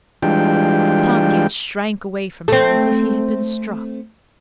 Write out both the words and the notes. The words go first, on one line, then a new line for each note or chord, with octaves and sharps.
Tom Gates shrank away from her as if he had been struck.
E3 G3 G#3 D4 F4 G5
A3 C4